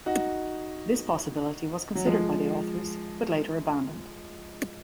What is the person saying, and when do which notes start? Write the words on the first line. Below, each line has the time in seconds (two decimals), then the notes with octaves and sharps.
This possibility was considered by the authors but later abandoned.
0.06 D#4 F#4
1.95 F#3
2.06 F3 G#3